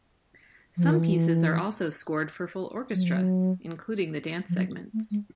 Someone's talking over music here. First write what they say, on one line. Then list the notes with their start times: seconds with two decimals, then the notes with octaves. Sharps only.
Some pieces are also scored for full orchestra, including the dance segments.
0.77 F3
0.84 E3
0.91 D#3
0.98 E3
2.93 F#3
3.04 F3
3.15 F#3
4.49 F3
4.56 F#3
4.93 A3
5.11 G#3